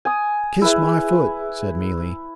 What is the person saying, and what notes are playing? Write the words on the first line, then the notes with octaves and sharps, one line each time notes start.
"Kiss my foot!" said Mealy.
G#5 D#6
E4 G#4 B4 E5